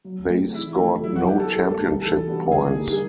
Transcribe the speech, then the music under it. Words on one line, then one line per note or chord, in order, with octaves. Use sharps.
They scored no championship points.
F#3
A3 C4 D#4 G#4
E3 E4
A3 D4 F4 A4
F#3 E4
F#4
B3 E4 G4
A4
G3 A4
A#3 D#4
E3 A4
G3 B3 D4 F#4
D3 G#4
G3 A#3 D#4 G4
G#4